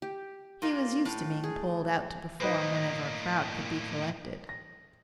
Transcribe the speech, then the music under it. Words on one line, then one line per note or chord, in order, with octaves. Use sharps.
He was used to being pulled out to perform whenever a crowd could be collected.
G4
A#2 A#3
A2 F5
G#4
A2 A#3 D#4 B4 C5
A#6